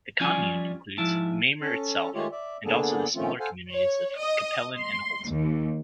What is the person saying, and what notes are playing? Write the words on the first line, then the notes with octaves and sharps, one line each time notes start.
The commune includes Mamer itself, and also the smaller communities of Capellen and Holzem.
F3 G3 C#4 F4 G#5
G#2 F3 E4 A5
C#4 A4
D#3 G#3 A3 F4 G4 C#5
D5 E5
D3 A#3 B3 D4 G#4 A4
D#3 F3 A3 C4 C#4 F4
A4 C5 F5 F#5 G#5
C#5
D#5
C6
D#2